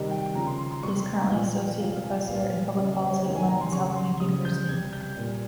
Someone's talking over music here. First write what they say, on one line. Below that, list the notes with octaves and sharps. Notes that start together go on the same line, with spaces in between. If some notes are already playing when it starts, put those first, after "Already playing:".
He is currently Associate Professor in Public Policy at London South Bank University.
Already playing: C3 D#3 G3 D#5
G5
C#3 F3 A#5
C6
C6
C6
C3 G3 C#6
C6
A#5
A#2 F3 G#5
G5
C3 F3 F5
G#5
A#2 G3 F5
C#3 G3 D#5
D#5
C5
C#5
C3 D#3 G3 G5
G#5
A#5
C6
C#3 G3 C#6
C6
C#3 G3 D#6
G6
C3 G3 G#6
G6
A#2 G3